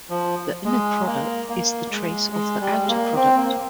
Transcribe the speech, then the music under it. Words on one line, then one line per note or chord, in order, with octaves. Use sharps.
The inner product is the trace of the outer product.
F3
G#3
A#3
A#3
G#3
G#3
G3
G#3
A#3
C4
A#3